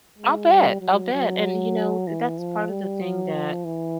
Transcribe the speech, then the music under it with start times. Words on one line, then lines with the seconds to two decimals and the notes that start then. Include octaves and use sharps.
I'll bet, I'll bet, and you know, that's part of the thing that,
0.18 G#3
0.50 G3
0.81 F#3
1.13 F#3
2.07 E3
2.38 F3
2.70 G3
3.02 F#3
3.33 F3
3.64 E3